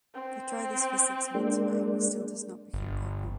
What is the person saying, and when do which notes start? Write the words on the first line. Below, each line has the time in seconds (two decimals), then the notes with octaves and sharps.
They try this for six months but Amy still does not become pregnant.
0.15 C4
1.35 G#3 A#3 D4
2.74 G1